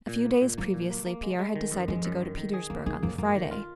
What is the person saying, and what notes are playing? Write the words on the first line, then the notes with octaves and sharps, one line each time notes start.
A few days previously Pierre had decided to go to Petersburg on the Friday.
A#2
A#3
A#2
F#3 A#3
A#2
A#3
A#3
G#3
G#3
D#3
F#2
F3 G#3
F#2
D#3
D#3
G#4
F3 A#3
D#3 G#4
F2 A#3
F#2 A#3
D#3
F4